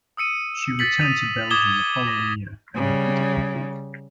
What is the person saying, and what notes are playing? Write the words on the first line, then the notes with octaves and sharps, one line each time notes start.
She returned to Belgium the following year and repeated the feat.
D#6 E6 C#7 D#7
A6 B6 F#7
D#6 A6 C#7 D#7 F7
D6 D#6 G#6 E7 G7
A#6
C#3 G3